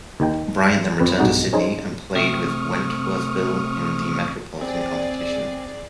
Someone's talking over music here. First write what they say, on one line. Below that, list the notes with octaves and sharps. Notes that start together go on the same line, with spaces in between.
Bryant then returned to Sydney and played with Wentworthville in the metropolitan competition.
D#2 D#3 G5
F2 C4 B4
B1 G2 G#3 D#4 F#4 D5
C#4 D#4 G#4 C5
C3 A3 C4 C#6 D#6 F6
C4 G#4 D5